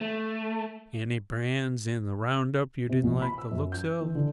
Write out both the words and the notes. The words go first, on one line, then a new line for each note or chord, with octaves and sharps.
"Any brands in the round-up you didn't like the looks of?"
A3
C3
A#1
B5
E6
F#2
G6
E3
D3